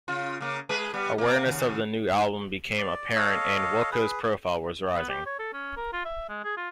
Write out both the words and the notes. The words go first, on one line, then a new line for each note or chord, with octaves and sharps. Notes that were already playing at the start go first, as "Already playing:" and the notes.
Awareness of the new album became apparent and Wilco's profile was rising.
C#3 F4
C#3 A#3
G#3 G#4 B4
G3 B3
A#3 C4
D#2 C#3
D5
A4 C#5 D#5 F5
G#4 B4
B3
G4
C#5
A4
C#4
A#4
F4
E5
G#3
G#4
F4